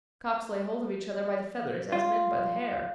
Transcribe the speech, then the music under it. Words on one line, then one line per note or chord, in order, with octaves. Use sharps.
Cocks lay hold of each other by the feathers, as men by the hair.
F4